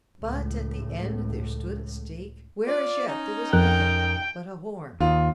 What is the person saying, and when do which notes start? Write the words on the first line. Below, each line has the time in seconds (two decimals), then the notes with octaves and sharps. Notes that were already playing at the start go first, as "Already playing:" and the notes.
But at the end there stood a stake where as yet there was nothing but a horn.
0.21 C#2 A2
2.67 F4 D5
3.07 C#4 D#4
3.53 F2 A#4 G5 F#6
5.00 D#2 F4